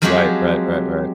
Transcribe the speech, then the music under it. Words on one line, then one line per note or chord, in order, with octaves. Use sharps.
Right, right, right, right.
F3 F#3 G#3 C4 F#4 G4